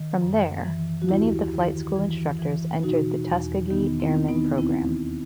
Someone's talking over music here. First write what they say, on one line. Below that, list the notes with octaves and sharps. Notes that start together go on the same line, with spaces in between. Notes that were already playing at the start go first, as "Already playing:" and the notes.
From there, many of the flight school instructors entered the Tuskegee Airmen Program.
Already playing: D#3
F#2
E3
F#4
D#2 E4 G4
D#3
E3
E3
B2 D#4 F#4
E2
D#3 B3 D#4
C4 E4
D#3
B3 D#4
D#2 C4 E4